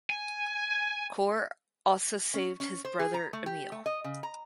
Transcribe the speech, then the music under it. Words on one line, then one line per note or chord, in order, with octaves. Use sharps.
Cor also saved his brother Emil.
G#5
C#4
C#4
C5
G#4
A#5
A3
G4
A3
D#5
C#3
A#5